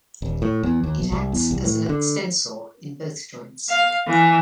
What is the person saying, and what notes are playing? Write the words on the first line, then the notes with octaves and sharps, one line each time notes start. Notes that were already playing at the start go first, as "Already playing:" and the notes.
It acts as an extensor in both joints.
D#1
A2
E2
D#2
B1
C2
E2
C2
A2
D3
F5
E3